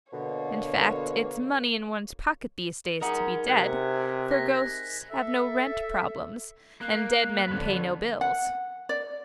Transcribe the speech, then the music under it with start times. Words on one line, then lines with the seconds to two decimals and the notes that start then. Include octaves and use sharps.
In fact, it's money in one's pocket these days to be dead, for ghosts have no rent problems, and dead men pay no bills.
0.13 B2 D3 A#3 C#5
3.01 D#4 G#4 A#4 F#5
3.46 C3 F#6 G#6 B6
4.31 A#6 B6
5.10 A4 E5
6.81 A#3 F#6
7.48 F2 D3 B4 C#5
8.21 F#5
8.89 D5